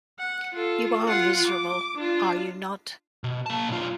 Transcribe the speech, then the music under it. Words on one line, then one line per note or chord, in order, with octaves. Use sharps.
You are miserable, are you not?
F#5
F4 A4
F4 F#5
D6
D4 F4
B2
A#3 A5
B1 F4